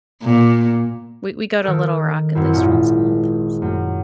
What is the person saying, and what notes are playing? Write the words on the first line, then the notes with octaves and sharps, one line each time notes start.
We we go to Little Rock at least once a month, so
A#2
D#3 A4 A#4
F#2 C4 E4
G#1 A#2 C#4
F#2